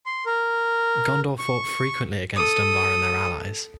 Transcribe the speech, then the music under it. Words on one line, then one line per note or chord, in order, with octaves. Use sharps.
Gondor fought frequently against Umbar and their allies.
C6
A#4
C#6
A4 D#6